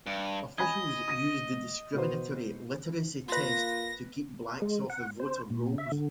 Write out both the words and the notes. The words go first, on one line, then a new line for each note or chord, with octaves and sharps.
Officials used the discriminatory literacy test to keep blacks off the voter rolls.
G2
D#5 G#5 B5 G#6
D#6 A#6 D#7
B2 B4 C5
A#3 F4 B4 C6 A#6
G#3
F#5
C5
A#2
E5
D3